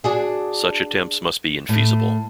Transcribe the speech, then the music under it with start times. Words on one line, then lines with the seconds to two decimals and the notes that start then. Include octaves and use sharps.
Such attempts must be infeasible.
0.04 D4 F#4 G#4
1.69 A2